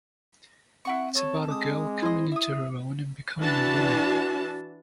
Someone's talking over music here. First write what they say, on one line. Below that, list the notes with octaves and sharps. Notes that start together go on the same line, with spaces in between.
It's about a girl coming into her own and becoming a woman.
C4 E4 F#5 C#6
A4 C#5
G#3 D6 D#6
E4 C5 D#5
E5 D#6
E3 D4 F#4 A5